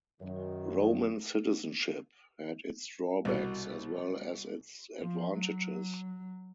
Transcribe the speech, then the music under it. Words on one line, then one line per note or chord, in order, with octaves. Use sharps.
Roman citizenship had its drawbacks as well as its advantages.
F#2 D#3
C2 B2
F3
F#3